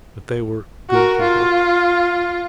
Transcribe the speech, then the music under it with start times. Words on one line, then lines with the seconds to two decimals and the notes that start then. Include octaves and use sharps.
But they were "good people".
0.90 F#4 A#4
1.21 F4